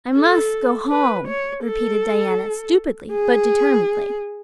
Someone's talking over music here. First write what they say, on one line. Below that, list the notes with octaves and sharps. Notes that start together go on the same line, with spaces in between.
"I must go home," repeated Diana, stupidly but determinedly.
A4
B4
C#5
A4
G#4